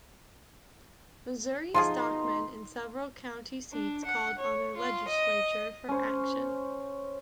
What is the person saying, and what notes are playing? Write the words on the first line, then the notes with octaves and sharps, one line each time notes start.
Missouri stockmen in several county seats called on their legislature for action.
B2 F3 D#4 F4 G#4 C6
D4
F#5
C#5
F4
D#5
C#4 C5